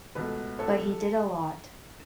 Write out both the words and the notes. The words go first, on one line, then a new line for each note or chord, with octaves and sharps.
But he did a lot.
C#2 B2 A3 B4
A4 C#5